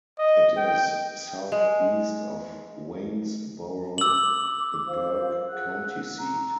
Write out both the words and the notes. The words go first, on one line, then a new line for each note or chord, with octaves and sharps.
It is southeast of Waynesboro, the Burke County seat.
D#5
G5
G#3
D6 E6 F#7
F4 C5 F5
G#4 F#5 F#6
A#5